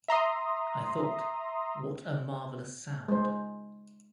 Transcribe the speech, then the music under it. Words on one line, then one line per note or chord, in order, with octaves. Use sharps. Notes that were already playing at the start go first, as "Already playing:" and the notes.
I thought, 'What a marvellous sound.
E5 A#5 C6 D#6
G#3 C5